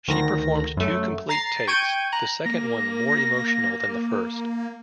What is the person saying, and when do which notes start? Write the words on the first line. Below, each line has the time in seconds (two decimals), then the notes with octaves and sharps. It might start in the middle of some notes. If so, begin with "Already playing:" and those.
She performed two complete takes, the second one more emotional than the first.
0.08 D2 D#3 A#6
0.77 F#2 A3
1.29 A#5 A6 C7
1.67 G5 C#6 G6 G#6 D7 D#7
2.12 A#5 F#6
2.46 A#3 A#6